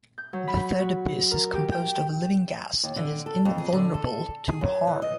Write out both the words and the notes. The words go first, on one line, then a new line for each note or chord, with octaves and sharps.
The third Abyss is composed of living gas and is invulnerable to harm.
G6
F#3
B5
F#4
A#4
G4
G5
D#2
D3
A4
F2
G#4
D3
A4
G#4
F#2
E3
D#5